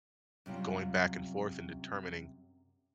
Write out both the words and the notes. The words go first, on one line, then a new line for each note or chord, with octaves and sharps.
y going back and forth and determining
F#2 C3 G3 F4